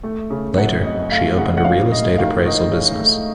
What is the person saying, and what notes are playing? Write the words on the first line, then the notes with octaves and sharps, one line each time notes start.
Later, she opened a real estate appraisal business.
A3
C#3
F#2 F#5
C4 D#5
A3 F5
C#3 F#5
F#5
C#4 F5
A3 D#5
D#3 F5
D#3 D#5
C#4
A3